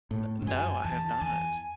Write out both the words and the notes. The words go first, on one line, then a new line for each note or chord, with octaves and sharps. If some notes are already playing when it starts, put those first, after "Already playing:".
N no, I have not.
A2
G#2
F#2 G#5
E2 A5
E2 G#5